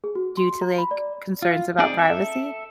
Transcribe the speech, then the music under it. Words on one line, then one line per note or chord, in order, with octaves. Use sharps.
due to, like, concerns about privacy?
G#4
F#4
C6
A#5
B5
D5
F4
C4 D#4 G#4 D5
A4 E5